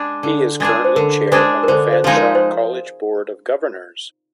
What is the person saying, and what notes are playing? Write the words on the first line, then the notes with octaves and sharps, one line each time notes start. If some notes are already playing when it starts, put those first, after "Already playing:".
He is currently chair of the Fanshawe College Board of Governors.
Already playing: G#3 D4 G#4
D3
G#3 D4 G#4
C5
D3 A#4
D5
G#3 D4 G#4 C5
A#4
D3 C5
C5
F3 G#3 D#4
A#4 D5
C5